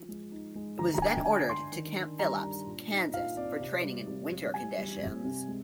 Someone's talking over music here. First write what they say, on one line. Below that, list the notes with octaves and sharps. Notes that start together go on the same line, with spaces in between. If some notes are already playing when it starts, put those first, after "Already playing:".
It was then ordered to Camp Phillips, Kansas for training in winter conditions.
Already playing: F3
G#3
D#4
G#3
D3 A#5
A#5
D4 G#5
G5
D3 G#5
D4 C6
D#3
D4
G3 A#5
D4
A#2
D#4
A#2 F5
C4 D5
C3
G3
C3
G3
G3 G#5
G3
C4
C3
G#3